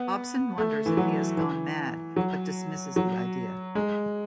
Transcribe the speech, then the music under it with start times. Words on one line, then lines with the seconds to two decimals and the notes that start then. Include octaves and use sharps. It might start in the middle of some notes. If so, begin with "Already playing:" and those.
Hobson wonders if he has gone mad, but dismisses the idea.
Already playing: B3
0.58 A3
0.86 E3
0.97 F#3
1.37 E3
2.16 F#3
2.96 F#3
3.75 G#3